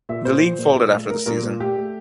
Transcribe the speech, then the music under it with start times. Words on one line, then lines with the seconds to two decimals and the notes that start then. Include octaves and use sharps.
The league folded after the season.
0.09 A#2 E5
0.25 A#2 C5
0.42 F3
0.59 A#2
0.75 A#2
0.93 A3
1.09 A3 A#4
1.26 A#2 A#4
1.43 A#2
1.60 A3 G4
1.77 A3